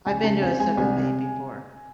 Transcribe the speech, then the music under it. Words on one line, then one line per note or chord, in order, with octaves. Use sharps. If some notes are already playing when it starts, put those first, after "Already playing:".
I've been to a sip and paint before.
C#2 G#5
C#3 A5
C4 G#5
G#3 G#5
C2 G#5
C3